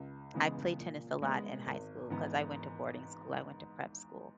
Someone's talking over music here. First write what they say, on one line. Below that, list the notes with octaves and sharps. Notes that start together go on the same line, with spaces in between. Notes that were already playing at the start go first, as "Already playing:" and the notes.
I played tennis a lot in high school 'cause I went to boarding school, I went to prep school,
Already playing: C#2
C#3 E3 G#3 B3
A#2
G#3 B3
G#1
G#2 E3 B3